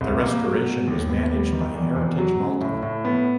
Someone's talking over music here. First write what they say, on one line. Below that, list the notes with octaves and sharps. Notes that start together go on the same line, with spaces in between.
The restoration was managed by Heritage Malta.
C2
A#3
F#3
B2
D#2
B3
G3
D#3
E2
E2
F#3
C#3
A2
A2
B3